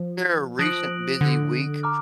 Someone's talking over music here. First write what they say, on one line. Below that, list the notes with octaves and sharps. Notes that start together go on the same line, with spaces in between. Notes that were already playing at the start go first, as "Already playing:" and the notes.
There a recent busy week
Already playing: F3
F3 D#6 F#6 A#6 D7 F#7
D3
A#5 D6 F6